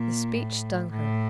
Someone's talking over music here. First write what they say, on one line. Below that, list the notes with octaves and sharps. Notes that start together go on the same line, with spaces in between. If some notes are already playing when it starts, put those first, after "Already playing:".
The speech stung her.
Already playing: A#2
A2
A2